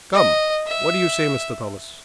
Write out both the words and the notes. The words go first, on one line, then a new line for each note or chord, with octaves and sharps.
"Come, what do you say, Mr. Thomas?"
D#5
E5